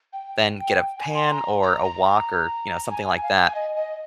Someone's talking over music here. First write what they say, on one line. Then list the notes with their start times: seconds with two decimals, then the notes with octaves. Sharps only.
then get a pan or a wok or, you know, something like that,
0.13 G5
0.98 G#5
1.14 C6
1.31 A#5
1.63 A#5
1.84 A#5
2.05 A#5
2.85 A#5
2.90 G#5
3.07 G#5
3.23 F5
3.39 G#5
3.55 D#5
3.76 D#5